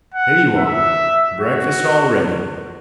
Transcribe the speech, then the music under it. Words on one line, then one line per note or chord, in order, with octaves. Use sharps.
Here you are, breakfast all ready!
F#5
E5
F#4